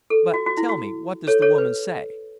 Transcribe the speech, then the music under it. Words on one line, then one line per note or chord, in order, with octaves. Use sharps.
"But, tell me, what does the woman say?"
A4
F#4
F#4
E4
F#4
A4 C#5
A4 C#5
B4